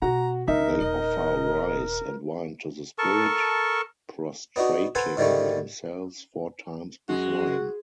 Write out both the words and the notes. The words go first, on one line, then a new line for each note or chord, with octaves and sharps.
They offer rice and wine to the spirit, prostrating themselves four times before him.
B2 F#4 A#5
C#2 D#4 A#4 E5
D#1 D#5
A4 A#4 A5 C#6
B3 D4 D#4 F#4
A4 B4 C5 F#5 G#5
G#2 D3 D#3 G3 A3
F#2 G#3 F#4